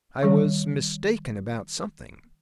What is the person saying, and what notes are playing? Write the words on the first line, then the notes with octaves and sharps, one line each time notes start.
I was "mistaken" about something.
D#3 G3 C#5